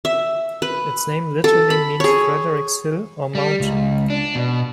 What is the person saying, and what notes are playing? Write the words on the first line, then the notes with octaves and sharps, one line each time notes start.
Its name literally means Frederik's hill or mountain.
E5
B4
A4
B5
G#4 C#5
G3
C#2
D4
B2